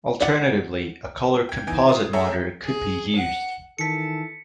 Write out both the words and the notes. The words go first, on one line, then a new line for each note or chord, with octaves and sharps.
Alternatively, a color composite monitor could be used.
D5 F#5
G5 G#6
E3 B3 D#4 G#5 G#6 D7
F4 D#6
G#4 A4 C#5 E5 G5 A#5
G#4
F#5
D#3 E3 A4 A5 B6 C#7